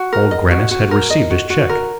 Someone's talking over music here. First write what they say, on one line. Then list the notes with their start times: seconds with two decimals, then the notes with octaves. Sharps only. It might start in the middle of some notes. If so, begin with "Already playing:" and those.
Old Grannis had received his check.
Already playing: F#4
0.13 A#4
0.31 D#5
0.51 F#4
0.71 F#4
0.91 A#4
1.10 D#5
1.30 F#4
1.50 F#4
1.70 A#4